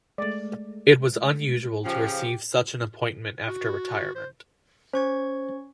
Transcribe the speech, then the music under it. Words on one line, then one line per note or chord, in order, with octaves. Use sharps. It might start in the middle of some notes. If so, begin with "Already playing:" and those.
It was unusual to receive such an appointment after retirement.
G#3 A3 D5
C#3 F3 G4
F#4
C5
C#4 C5 C#6 G#6